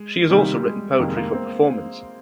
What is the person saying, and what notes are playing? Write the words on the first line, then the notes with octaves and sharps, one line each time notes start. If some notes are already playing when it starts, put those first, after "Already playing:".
She has also written poetry for performance.
Already playing: G#3
C3 D#3 G3 A#3 D#4
G3
G#3
F2 C3 D#3 A#3
G#3
A#3
C4